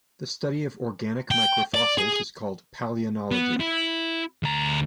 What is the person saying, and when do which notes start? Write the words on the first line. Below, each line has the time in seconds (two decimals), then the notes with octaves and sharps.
The study of organic microfossils is called palynology.
1.31 G5
1.74 D5
1.98 G#4
3.31 B3
3.60 E4
4.43 D2 A#5